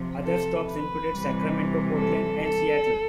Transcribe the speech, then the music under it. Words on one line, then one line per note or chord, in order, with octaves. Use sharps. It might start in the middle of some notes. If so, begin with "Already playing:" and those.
Other stops included Sacramento, Portland, and Seattle.
Already playing: C3 F3
A4
B4
C3 E3 G3
A4
A4